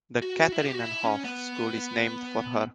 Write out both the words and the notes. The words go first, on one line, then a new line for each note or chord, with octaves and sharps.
The Katharinenhof school is named for her.
F#4
E4
G4
F#4
E4
C#4
B3